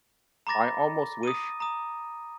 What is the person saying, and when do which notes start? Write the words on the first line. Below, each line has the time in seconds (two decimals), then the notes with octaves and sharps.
I almost wish,
0.47 A#5 B5 D6 A6 A#6
1.23 D#6 D#7
1.60 A#5 D#6